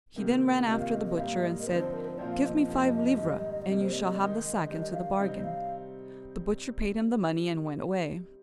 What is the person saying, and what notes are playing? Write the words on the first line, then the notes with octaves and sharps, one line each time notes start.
He then ran after the butcher, and said, "Give me five livres, and you shall have the sack into the bargain." The butcher paid him the money, and went away.
C3 D#3 A#3
C3 D#3 A#3 F4 D#5
F5
D#5
D#5
G#2 G3 A#3 F5
D#5
A#4
D3 F3 C4 D#4 C5
C5
A#4
C5
A#2 F3 C4 F4 D5
F5
D#5
D#5
F2 C3 F3 A#3
G#2 D#3 G3
D5
C3 G3 A#3 D#5
C5
D#5
D#5
D5
D#3 G#3 D#4 D#5
D#3 G3 D4 D#5
D#5
F5
C3 G3 C4 D#4 D#5
F5